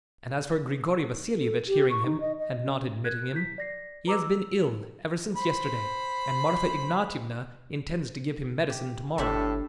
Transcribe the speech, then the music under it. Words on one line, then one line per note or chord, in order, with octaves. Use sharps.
And as for Grigory Vassilyevitch hearing him and not admitting him, he has been ill ever since yesterday, and Marfa Ignatyevna intends to give him medicine to-morrow.
A4
G4
C#6
D#4
D#5
D#5
C#4
A#4 F#6 G#6
E4 G6 B6
D5 A#6 C7
B4 A#5 D6 E6
E6
C5 B5
G4
G1 A2 D4 G4 A4 E5